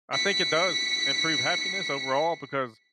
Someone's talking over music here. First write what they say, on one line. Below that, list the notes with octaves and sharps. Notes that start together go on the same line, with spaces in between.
I think it does improve happiness overall because
B6 C#7